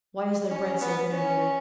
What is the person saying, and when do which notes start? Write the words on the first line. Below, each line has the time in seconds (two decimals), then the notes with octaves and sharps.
"Why is their bread so bitter here?"
0.51 C#4
0.81 B3
1.12 C#4